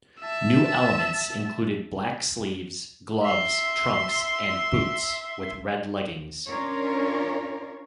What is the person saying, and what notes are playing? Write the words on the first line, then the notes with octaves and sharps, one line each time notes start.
New elements included black sleeves, gloves, trunks and boots with red leggings.
E5 A5
E5 C6
C#4 D4 F4 A#4 C#5